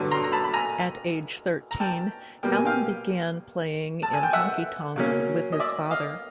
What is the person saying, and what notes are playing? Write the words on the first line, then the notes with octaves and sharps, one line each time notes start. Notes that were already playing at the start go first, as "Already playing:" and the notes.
At age thirteen, Allan began playing in honky tonks with his father.
Already playing: G2 D3 F#3
A#5 C6
A#5
A5 B5
B5
G#5 A#5
A#5
G5 A5
B2 G3 A#3 G5
G#5
F5 G5
A5
G#5
G5
E5 F#5
C#3 F#3 A#3 C#4
D#5
D5 E5
D#5 F5